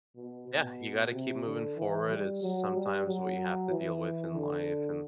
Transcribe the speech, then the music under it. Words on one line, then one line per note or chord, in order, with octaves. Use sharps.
yeah, you gotta keep moving forward, it's sometimes what you have to deal with in life and
B2
B2
C3
D3
E3
G3
F#3
G3
F#3
E3
D3